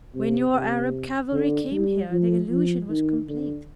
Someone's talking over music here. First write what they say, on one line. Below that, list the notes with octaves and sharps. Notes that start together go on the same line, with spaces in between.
"When your Arab cavalry came here the illusion was complete."
C3
C3
D3
G3
F3
F3
D#3
D3